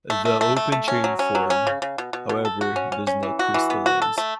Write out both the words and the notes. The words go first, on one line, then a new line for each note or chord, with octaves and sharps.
The open-chain form, however, does not crystallize.
A3
A3
A3
A3
A3
C#4
F#3
C#4
F#3
C#4
C#3
C#3
B2
B2
B2
A4
F#4
C#4
C#4
C#4
E3
F#4
E3
B3
F#4
A4
A3